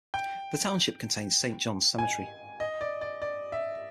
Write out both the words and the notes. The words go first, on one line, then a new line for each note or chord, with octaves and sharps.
The township contains Saint Johns Cemetery.
G5
G#5
D#5
D5
D5
D5
E5